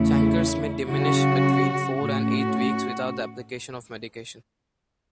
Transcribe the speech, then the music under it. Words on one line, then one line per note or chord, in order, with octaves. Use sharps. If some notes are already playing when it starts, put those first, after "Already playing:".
Chancres may diminish between four and eight weeks without the application of medication.
Already playing: E2 C#3 A3 C#4 E4
C#3 F#3 C#4 F#4
A2 A3 C#4 F#4